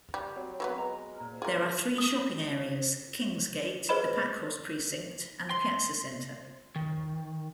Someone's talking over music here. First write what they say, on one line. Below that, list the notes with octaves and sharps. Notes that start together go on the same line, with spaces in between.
There are three shopping areas: Kingsgate, The Packhorse Precinct and The Piazza Centre.
G3
F#3 C4
F#3 A#3 B3 B4
G#3 A#5
A#2
D4 F4 G#4 A#4
D#6 G7
G#4 B4 C5 D#5 B5 E7
C6
D#3